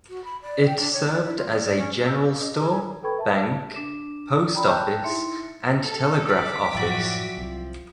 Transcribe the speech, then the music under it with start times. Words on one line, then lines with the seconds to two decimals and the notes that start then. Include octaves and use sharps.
It served as a general store, bank, post office, and telegraph office.
0.09 F#4
0.24 B5
0.42 D5
0.66 G5
0.78 D4
0.93 C#5
1.07 D5
1.22 E4
1.36 F4
1.50 D5
1.64 D5
1.78 C#4
2.05 B4 F5 E6 G6
2.18 D6
2.38 C#4 D#5
2.55 G#4 B4 A#5 D#6
2.67 D#4 G#4 A4 B4
3.03 A4 B4 G5 B5 C#6 G#6
3.17 A#4 E5 A5
3.75 D4 D6 E7
4.53 D5 G5 A#5 B5
4.67 G5 A5 D6 F#6 G6
5.04 D#4 E4 E5 C6 C#7
5.82 A4
6.29 D5 F5 D6 B6
6.72 A1 F#2 F3 F#3 F#4 D5 E5 G5
7.37 C2 F3